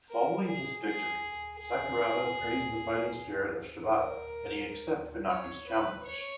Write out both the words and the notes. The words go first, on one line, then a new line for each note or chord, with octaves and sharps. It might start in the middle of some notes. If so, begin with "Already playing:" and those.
Following his victory, Sakuraba praised the fighting spirit of Shibata and accepted Funaki's challenge.
A#4
G#4
G#4
G#4
A#4
C#5
B4
C#5